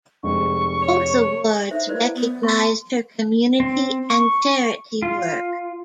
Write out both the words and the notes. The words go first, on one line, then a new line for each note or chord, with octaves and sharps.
Both awards recognised her community and charity work.
F1 G#3 C4 C#6
C#5
D#4 C5 E5
E4 B4 C5 D5
B3
F#4 C#6
C4
C#6
F4